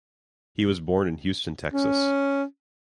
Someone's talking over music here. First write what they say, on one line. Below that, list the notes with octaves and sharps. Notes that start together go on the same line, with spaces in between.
He was born in Houston, Texas.
C#4